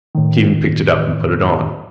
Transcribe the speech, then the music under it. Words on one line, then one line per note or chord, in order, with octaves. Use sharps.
Stephen picked it up and put it on.
A2 D#3